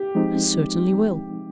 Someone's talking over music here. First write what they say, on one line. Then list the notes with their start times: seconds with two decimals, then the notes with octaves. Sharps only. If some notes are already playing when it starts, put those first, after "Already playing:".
"I certainly will."
Already playing: G4
0.15 F3 G#3 C4 D#4